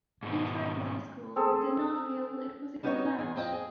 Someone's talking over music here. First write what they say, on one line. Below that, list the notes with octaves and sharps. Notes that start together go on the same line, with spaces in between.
He tried law school but did not feel it was a good match.
G#2 B2 D#3
C4 G#4 A4
G3 B3 D#4 F#4 B4 C#5
D#4
E2 G#4
F2 C4 D#5
G#4